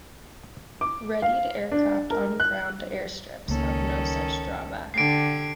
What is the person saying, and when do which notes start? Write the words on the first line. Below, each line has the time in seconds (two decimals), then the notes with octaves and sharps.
Readied aircraft on ground airstrips have no such drawback.
0.81 D6
1.22 F5
1.72 D4
2.10 A#4
2.40 F#6
3.48 C#2 D#3 A#3 C#4 A4
4.94 D3 G4 G#6 C7 D7